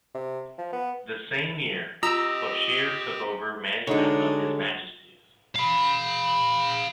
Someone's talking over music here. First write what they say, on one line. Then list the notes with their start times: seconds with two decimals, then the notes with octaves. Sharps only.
The same year, Bourchier took over management of His Majesty's.
0.15 C3
0.58 F3
0.73 B3
2.03 C4 F4 G4 D#5 A#5 E6
3.87 D3 G#3 D4 D#4 F#4 C#5
5.56 F5 B5